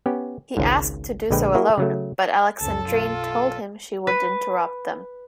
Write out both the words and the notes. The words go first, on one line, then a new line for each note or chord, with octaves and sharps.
He asked to do so alone, but Alexandrine told him she would interrupt them.
B3 C#4 G4
G#1 C#2 G#2
A#1 D3 G#3 B4 G5
A#3 E4 F#4 G#4 A#4
C#3 F#3 A3
C#2 F#2 A4 A5
B1 F4
B4